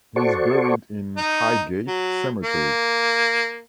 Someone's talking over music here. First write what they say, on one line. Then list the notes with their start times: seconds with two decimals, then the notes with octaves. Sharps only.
He is buried in Highgate Cemetery.
0.16 F#4 A4 C5 D5 C#6
1.17 D#4
1.87 F#3
2.44 A#3